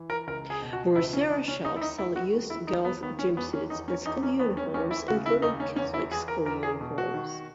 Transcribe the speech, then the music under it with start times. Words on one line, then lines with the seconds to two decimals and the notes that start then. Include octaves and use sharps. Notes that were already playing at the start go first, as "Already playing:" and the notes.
Burusera shops sell used girls' gym suits and school uniforms, including Catholic school uniforms.
Already playing: E3
0.10 A#4
0.27 C#2 A#4
0.50 G#4
0.62 B2
0.73 F#4
0.95 C#2 E4
1.13 C#4
1.30 C#2 D#4
1.48 C#4
1.65 D#2 D#4
1.76 E4
1.81 D#4
1.98 D#2 E4
2.16 F#4
2.33 D#2
2.50 E4
2.67 D#2 D#4
2.85 B3
3.02 D#3 B3
3.19 C#4
3.37 E2 B3
3.53 C#4
3.70 E2 D#4
3.88 C#4
4.05 E2 D#4
4.23 C#4
4.39 D#2 B3
4.57 C#4
4.74 D#2 C#4
4.91 E4
5.08 C#3 F#4
5.26 E4
5.42 D#2 D#4
5.60 C#4
5.76 E2 C#4
5.94 E4
6.11 E2 G#4
6.28 A#4
6.45 E2 A#4
6.63 G#4
6.81 B2
6.98 F#4
7.14 D#3